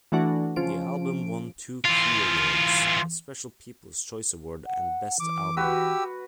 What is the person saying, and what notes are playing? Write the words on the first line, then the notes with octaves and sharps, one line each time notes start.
The album won two Q Awards: a special People's Choice Award and Best Album.
E3 A3 D4 F#4
C#3 F3 D7
E3 F4
F#5
E3 D6
F#4 G4 B4 E6